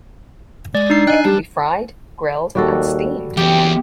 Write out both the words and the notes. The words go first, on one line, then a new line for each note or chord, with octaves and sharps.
It can be fried, grilled, and steamed.
G#3 D5
D4 D#4 C7
D#5 G5 G#5 F#6
G3 G4 A5
D#2 G3 F#4 A4
F#1 E2 E3 G4